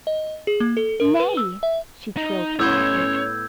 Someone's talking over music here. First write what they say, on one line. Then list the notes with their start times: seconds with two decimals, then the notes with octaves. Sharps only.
"Nay!" she trilled gladly.
0.07 D#5
0.47 G#4
0.60 A#3
0.77 A4
1.00 A#4
1.20 B4
1.37 E6
1.63 E5
2.17 D#4
2.59 A2 B3 C#4 C#5 C6 E6 G6 G#6